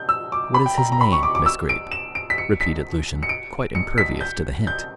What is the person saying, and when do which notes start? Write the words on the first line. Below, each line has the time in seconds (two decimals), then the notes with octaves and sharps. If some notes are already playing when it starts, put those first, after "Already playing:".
"What is his name, Miss Greeb?" repeated Lucian, quite impervious to the hint.
Already playing: G6
0.09 E6
0.32 D6
0.54 B5
0.66 G5
0.78 A#5
0.92 A#5
1.01 B5
1.12 C#6
1.23 D6
1.35 D6
1.46 E6
1.69 D7
1.92 E7
2.15 D7
2.30 B6
2.38 C#7
2.61 B6
3.23 C#7
3.29 D7
3.75 C#7
3.98 B6
4.21 G6
4.67 G6